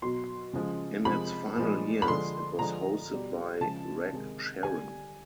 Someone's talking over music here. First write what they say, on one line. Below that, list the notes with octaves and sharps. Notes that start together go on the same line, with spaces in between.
In its final years it was hosted by Reg Sherren.
B2 F#3 C6
C#3 F3 G#3
C3 F3 G#3 B5
A#2 F3 G#3
B5
D3 F3 G#3 C6
D3 F3 G#3 A#5
B2 G3
C#3 F3 G#3 A5
C3 D#3 G#3
D3 G3 G#5